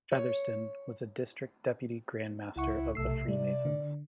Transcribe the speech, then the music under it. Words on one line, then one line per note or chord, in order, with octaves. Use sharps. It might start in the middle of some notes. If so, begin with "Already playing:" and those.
Featherston was a District Deputy Grand Master of the Freemasons.
C#5
C#2 E4 F#5 C#6
B1 C3 A3 E6 C7
G3 D5
D3